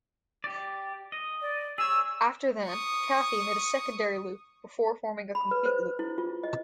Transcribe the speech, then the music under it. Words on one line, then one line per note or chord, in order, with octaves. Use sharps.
After then, Kathy made a secondary loop before forming a complete loop.
G4 D5
D#5
D5
G#4 C#5 E6
C#6 D#6
B5
B4
C5
E4
F4
D#5